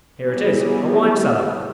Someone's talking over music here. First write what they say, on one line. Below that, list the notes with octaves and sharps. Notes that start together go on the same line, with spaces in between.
Here it is--a wine-cellar.
F#3 G3 B3 C#4 E4 G#4